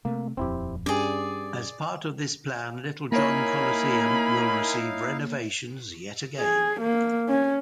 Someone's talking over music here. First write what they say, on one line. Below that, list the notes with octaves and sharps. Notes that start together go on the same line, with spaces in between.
As a part of this plan, Littlejohn Coliseum will receive renovations yet again.
C3 A3 A#3
D#1 F2 C4 E4 G4
G2 C#4 G4 G#4 D5
A#3 D#4 E4 A#4 C#5 F5 G#5 B5
G#4
A#3
C#4